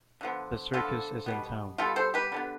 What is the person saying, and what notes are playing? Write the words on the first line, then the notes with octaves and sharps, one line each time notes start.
The circus is in town!.
D3 F3 B3
D3 F3 B3 F4 A4
B2 G3 B3
B2 G3 B3 F4 A4
A4 C5
G4 B4
D3 G3 B3